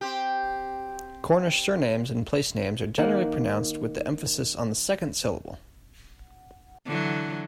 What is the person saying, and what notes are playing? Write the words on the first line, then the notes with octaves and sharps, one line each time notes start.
Cornish surnames and placenames are generally pronounced with the emphasis on the second syllable.
C4 G4
D#3 A#3 A#4 F#5
D3 E3 F#3